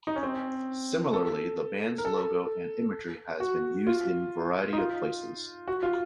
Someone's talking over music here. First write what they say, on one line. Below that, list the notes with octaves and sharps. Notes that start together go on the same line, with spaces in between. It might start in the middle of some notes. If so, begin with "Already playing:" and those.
Similarly the band's logo and imagery has been used in a variety of places.
D#4
C#4
C4
A4
A#4
A4
F#4
F4
D#4
F4
F#4
F4